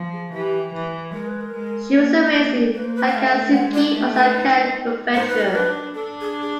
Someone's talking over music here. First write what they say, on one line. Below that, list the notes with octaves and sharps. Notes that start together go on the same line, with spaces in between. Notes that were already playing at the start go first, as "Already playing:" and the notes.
She was raised in Takatsuki, Osaka Prefecture.
Already playing: F3
G#4
E3 G4
E3
G#3 A#4
B4
A#4
G#3
A#3
A#3
A#3 B4
C5
B4
F#5
A3 F5
G#3 F#5
D5
A3
B4
D#4
D#4 C5
B4
A#4
D4 B4
D4 A4
G#4
G#4